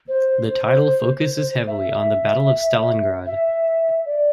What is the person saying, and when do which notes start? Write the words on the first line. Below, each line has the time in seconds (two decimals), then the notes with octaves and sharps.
The title focuses heavily on the Battle of Stalingrad.
0.08 C5
1.67 E5
3.27 E5
4.06 D5